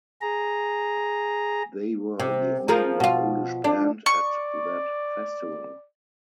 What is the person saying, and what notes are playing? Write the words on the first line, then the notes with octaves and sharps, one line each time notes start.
They were the only Polish band at that festival.
G#4 A#5
C3
F3 G#4 A#4
B2 F4
D4
D5 C#6